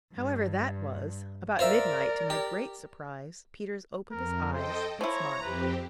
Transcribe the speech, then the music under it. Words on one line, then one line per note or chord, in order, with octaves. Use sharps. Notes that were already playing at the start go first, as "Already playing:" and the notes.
However that was, about midnight, to my great surprise, Peters opened his eyes, and smiled.
G2
F4 A#4 C5 D5 E5
G4
F2 A#4
A4 C5 D#5 G5
F3 E4 C#5 A#5
F2 C4 G4 B4